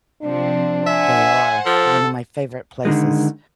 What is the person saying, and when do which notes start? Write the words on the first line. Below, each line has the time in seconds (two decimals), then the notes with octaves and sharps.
They are. One of my favorite places,
0.22 C3 F3 C4 D4
0.86 C5 E5 F#5 G#5
1.66 F3 A4
2.85 D3 D#3 G#3